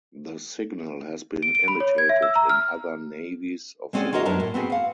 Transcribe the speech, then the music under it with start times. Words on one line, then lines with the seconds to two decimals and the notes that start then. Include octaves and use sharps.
The signal has been imitated in other navies of the world.
1.43 D7
1.55 D7
1.68 B5
1.80 C#5
1.98 G#6
2.09 E5
2.22 E6
2.36 A#5
2.49 F6
3.93 G#3 C4 C#4 G#4 D5 F#5
4.13 F4 F#4 A#4 C#5 D#5
4.25 F#2 B3 D4 A#4 A5
4.40 A2
4.54 B3 C4 F#4 G#4
4.72 F5 F#5